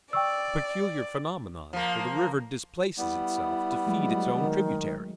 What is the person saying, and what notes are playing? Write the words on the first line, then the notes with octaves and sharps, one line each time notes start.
A peculiar phenomenon, for the river displaces itself to feed its own tributaries!
D5 G5 C#6 E6
F3 A#3
G3 B3 E4
F#3 G#3 A3
D#3